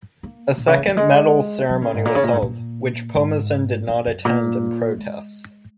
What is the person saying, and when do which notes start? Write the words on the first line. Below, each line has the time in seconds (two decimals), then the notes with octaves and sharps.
A second medal ceremony was held, which Pomazan did not attend in protest.
0.23 A#3
0.58 A#2
0.67 C#3
0.77 D#3
0.87 F#3
0.97 G#3
1.69 F#3
1.82 C#3
1.94 G#2
2.05 A#2
2.15 C#3
2.24 A#2
2.33 G#2
2.42 A#2
3.15 G#2
3.88 F#2
4.07 F#2
4.25 A#2
4.98 G#3